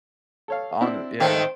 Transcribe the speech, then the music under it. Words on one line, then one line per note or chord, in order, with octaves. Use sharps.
On it, yeah.
A4 C#5 F5
C4 D4 E4
D#3 A3 C5 F5 G5